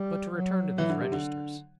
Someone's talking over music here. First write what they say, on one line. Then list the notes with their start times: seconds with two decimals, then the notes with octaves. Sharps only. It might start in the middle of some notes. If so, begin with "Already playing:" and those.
"But to return to these registers."
Already playing: G3
0.36 F#3
0.78 E3
0.89 D3
1.01 C3
1.12 D3